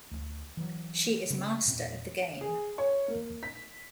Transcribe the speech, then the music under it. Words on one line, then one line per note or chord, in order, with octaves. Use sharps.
She is master of the game.
D2
E3 F#3
C#3 G3 B3
E1 A#2 C4
G#4
C#5
A#3
B6